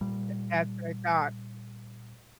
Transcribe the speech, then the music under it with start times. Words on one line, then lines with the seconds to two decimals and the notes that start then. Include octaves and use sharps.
Th that's what I thought.
0.01 A#2 G3